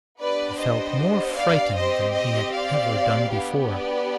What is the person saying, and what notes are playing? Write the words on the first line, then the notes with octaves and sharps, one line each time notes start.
He felt more frightened than he had ever done before.
B3 D4 G4 B4 D5
C5 D#5
D5 F5
C4 G4 C5 D#5
C5 D#5
D5 F5
B3 D4 G4
B4 D5